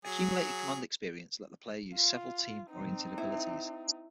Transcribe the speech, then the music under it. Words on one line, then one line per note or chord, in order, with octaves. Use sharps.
Accumulated Command Experience let the player use several team-oriented abilities.
F#3 G#4
F4
C4 D#4
E4